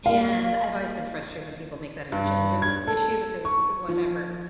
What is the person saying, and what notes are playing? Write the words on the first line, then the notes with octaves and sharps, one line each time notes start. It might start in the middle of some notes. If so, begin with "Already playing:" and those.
and I've always been frustrated when people make that a gender issue because whatever.
A#3 F5
G2
G#6
A4
C#6
F3